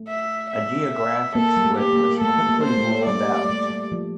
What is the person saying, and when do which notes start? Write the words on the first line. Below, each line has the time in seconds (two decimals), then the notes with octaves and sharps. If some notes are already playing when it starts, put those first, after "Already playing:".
A geographic split was quickly ruled out.
Already playing: A3
0.08 E5
0.51 E5
0.93 E5
1.35 A#3 A4
1.57 G3
1.65 A3
1.78 G4
1.93 A#3
2.21 A3 A4
2.49 A#3
2.64 C5
2.77 A3
3.06 G3 D5
3.44 G3
3.50 A3
3.70 G3
3.92 F3